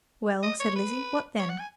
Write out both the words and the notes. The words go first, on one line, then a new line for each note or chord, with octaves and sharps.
"Well," said Lizzie,--"what then?"
D#5
C#5
B4
C#5
F#5
G#5